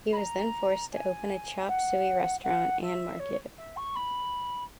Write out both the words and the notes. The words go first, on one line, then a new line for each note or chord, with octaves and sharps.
He was then forced to open a chop suey restaurant and market.
B5
A#5
G#5
F#5
F#5
E5
C#5
E5
C#6
B5